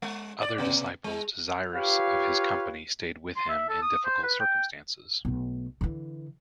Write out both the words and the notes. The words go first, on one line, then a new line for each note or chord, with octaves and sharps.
Other disciples desirous of his company stayed with him in difficult circumstances.
G#3
D5
C3 B3
G#3
F4 G4 B4 C#5 F5
C6
E5
A4
D#6
C5
B4
G5
B1 A3
D3 E3